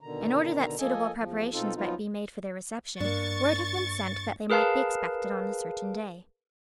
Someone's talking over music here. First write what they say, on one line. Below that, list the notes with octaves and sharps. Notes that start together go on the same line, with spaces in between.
In order that suitable preparations might be made for their reception, word had been sent that they might be expected on a certain day.
B2 D3 D#3 A#5
F3 A#3 A4 D#5 G#5
E2 F3
B2 C4 D#4 F4 A4
F3 F#3 B3 D#4 F4
G2 A#3 D4 C#6 A6
G#4 A#4 B4 F5 A5